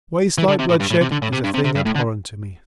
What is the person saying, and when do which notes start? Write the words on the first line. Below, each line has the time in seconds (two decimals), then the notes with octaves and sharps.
Waste, like bloodshed, is a thing abhorrent to me.
0.38 E3
0.48 D3
0.59 C3
0.69 A2
0.80 G2
0.91 A2
1.01 C3
1.12 D3
1.22 A2
1.33 C3
1.44 G2
1.54 C3
1.64 C3
1.75 G2
1.86 A2
1.96 D3